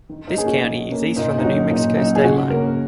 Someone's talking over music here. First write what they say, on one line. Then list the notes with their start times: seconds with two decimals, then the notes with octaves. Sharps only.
This county is east from the New Mexico state line.
0.09 D#3
0.27 D#4
0.36 A#3 C#4 G#4
0.46 F#4
0.64 D#3
0.90 A#3 C#4
1.16 A#2 D#4
1.38 D#4
1.44 F#3 C#4 F#4
1.70 A#2 D#4
1.96 F#3 C#4 D#4
2.15 G#4
2.24 C#3 F#4
2.50 A#3 C#4 A#4